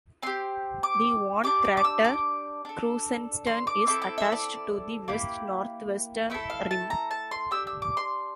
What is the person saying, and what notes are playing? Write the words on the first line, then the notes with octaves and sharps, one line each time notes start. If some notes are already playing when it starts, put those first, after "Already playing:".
The worn crater Krusenstern is attached to the west-northwestern rim.
C4 G4 C6
D6
D4 G4 D6
D6
D6
E6
D6
D4 A4
C6
D6
C4 E4 A4 D6
D6
E5
D5
A#3 E4 G4
A3 E4 A4 E5
F5
A5
A#5
A5
C6
D4 G4 E6
E6
D6
C6